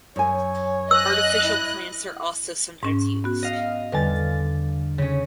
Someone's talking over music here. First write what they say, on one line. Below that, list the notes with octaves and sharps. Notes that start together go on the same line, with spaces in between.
Artificial plants are also sometimes used.
F#2 C#5 G#5
D#5 E6 F#6
E4
G#2 C#4
B3 F#4
D#5 F5
E2 D3 G3 B4 A6
C#3 C#4